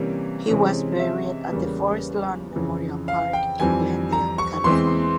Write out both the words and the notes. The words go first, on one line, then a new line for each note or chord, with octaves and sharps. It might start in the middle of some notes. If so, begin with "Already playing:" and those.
He was buried at the Forest Lawn Memorial Park in Glendale, California.
Already playing: C3 E3 G3 A#3 C#4
C3 E3 G#3 C#4
E5
E2 C#3 G3 A#3 C#4
F2 C#3 E3
F5
G5
F2 E3 G3 C4 G#5
A#5
C#6
E2 E3 G#3 C4 C6